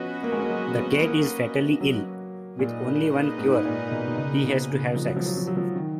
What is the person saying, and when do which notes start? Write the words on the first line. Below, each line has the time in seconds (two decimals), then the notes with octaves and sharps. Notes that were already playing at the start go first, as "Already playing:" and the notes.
The Cat is fatally ill, with only one cure: he has to have sex.
Already playing: F3 B3 C#4 F#4 B4 D#5
0.23 A#3
0.32 G#3
0.41 A#3
0.50 F#3
0.76 B3
1.02 A#3
1.81 F#3
2.59 A#2 A#3 D#4 G#4 B4 D#5
3.38 G#2
3.65 A#2
3.91 B2
4.07 B2
4.17 C#3
4.43 B2
4.70 C#3
4.96 F3
5.06 F#3
5.17 F3
5.26 F#3
5.37 F3
5.47 F#3
5.57 F3
5.75 D#3